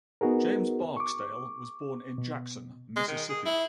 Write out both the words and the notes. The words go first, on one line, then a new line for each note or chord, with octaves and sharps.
James Barksdale was born in Jackson, Mississippi.
B3 D#4 F#4 G#4 A#4
C#6 D6
B2
G#3
D#3
G#4
E4